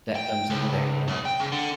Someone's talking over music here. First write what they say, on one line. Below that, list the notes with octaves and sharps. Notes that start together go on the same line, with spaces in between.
that comes into there, you know,
G5
C#2
B2
G5
C#3
D3